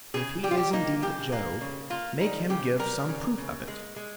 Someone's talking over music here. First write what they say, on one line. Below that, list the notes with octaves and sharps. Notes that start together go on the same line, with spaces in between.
If he is indeed Jove, make him give some proof of it.
C#3 G#4
G3 G4
F4
G4
A#3 D#4
C#3 G4
A#3
C#3
A#3 F4
G3 D#4
C#3 G4
G3 A#4
C#3
C#3
G#3
G#3